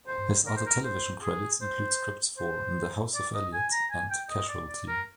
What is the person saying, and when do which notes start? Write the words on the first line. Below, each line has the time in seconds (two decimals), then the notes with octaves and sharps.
His other television credits include scripts for "The House of Eliott" and "Casualty".
0.07 C5
0.47 A#4
0.57 C5
0.66 A#4
0.84 C5
1.23 G#4
1.61 C5
2.38 C5
3.15 D5
3.34 D#5
3.53 G#5
3.72 A#5
3.91 G#5
4.10 G5
4.30 D#5
4.48 D5
4.68 D5
4.88 A#4